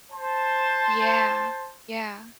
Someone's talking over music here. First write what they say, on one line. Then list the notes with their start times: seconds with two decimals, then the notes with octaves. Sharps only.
Yeah, yeah.
0.11 C5 A5